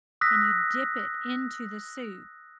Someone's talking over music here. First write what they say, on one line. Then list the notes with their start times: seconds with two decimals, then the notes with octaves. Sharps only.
and you dip it into the soup
0.21 D#6 E6 F#6 A#6 B6